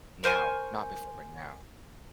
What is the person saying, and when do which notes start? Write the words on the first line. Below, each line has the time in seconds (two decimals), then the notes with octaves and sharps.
Now. Not before, but now.
0.24 A#4 C5 G#5 C#6